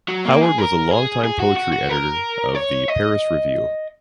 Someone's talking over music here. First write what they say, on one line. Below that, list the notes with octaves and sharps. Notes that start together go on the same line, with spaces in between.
Howard was a long-time poetry editor of "The Paris Review".
F#3
A#3
G#4
A#4
G#4
G#4
F#4
F#4
F#4
A#4
C#5
D#5